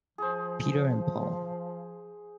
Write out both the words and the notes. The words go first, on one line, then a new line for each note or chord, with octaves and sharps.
Peter and Paul.
F3 G#4 C5